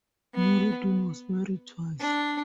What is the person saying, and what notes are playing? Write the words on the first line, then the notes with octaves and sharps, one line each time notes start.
Nureddin was married twice.
B3
D4